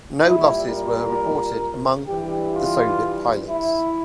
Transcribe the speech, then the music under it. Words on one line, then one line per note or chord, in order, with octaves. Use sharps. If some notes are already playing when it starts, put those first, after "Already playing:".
No losses were reported among the Soviet pilots.
A#2 G3 E4
A#4
G2 E3 G3 G4
F4
E4